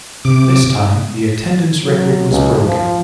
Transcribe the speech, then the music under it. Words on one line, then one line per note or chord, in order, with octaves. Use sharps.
This time the attendance record was broken.
C3 D6
F#3
C#2
F3